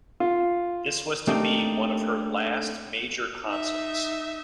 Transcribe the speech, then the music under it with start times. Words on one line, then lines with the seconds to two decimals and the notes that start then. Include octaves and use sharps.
This was to be one of her last major concerts.
0.20 F4
1.27 A3 A#3 C4 D4 D#4 G4
3.45 D#4 E5